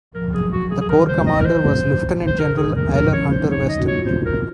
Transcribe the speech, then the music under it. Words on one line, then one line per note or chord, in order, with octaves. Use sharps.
The corps commander was Lieutenant-General Aylmer Hunter-Weston.
F3 A#4
F#3 G#4
F#4
F#3 G#4
G#4
D#3 A#4
C5
D#5
A#4
C5
C5
C#3 A#4
G#4
D#3
A#4
F3
A#4
C#4 C#5
C5
D#4
C#5
D#4
D#5
F#4
F4 C#5
C5
A#4